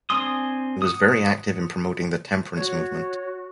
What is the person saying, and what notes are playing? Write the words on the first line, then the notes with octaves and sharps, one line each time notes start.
He was very active in promoting the temperance movement.
C4 D4 G#5 C6 D#6
F#5 D#6
F#4 C#5